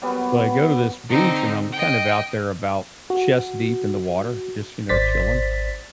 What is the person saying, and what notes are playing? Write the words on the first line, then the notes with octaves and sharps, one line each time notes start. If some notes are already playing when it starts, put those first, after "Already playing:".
so, I go to this beach, and I'm kind of out there about chest deep in the water just, you know, chilling
F#3 G3 B3
D3 C4 D#4
D#5 G5
F#4
G#1 C5 D5 A6 B6